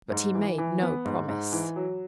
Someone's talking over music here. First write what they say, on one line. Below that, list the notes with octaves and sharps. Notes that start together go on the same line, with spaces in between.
But he made no promise.
G#2
E3
E3
B3
G#2
G#2
E3
F#3